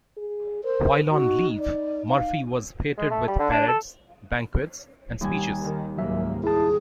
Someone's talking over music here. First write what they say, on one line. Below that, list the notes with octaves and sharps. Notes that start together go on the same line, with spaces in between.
While on leave, Murphy was feted with parades, banquets, and speeches.
G#4
A#4 C5
D#4 F#4
D5
F5
G#3
A3
G3
D3
D4
A4
D#2 G3 G#5
D#3
C#2 G#2 F#3 A#3 E5
E4 G#4 A5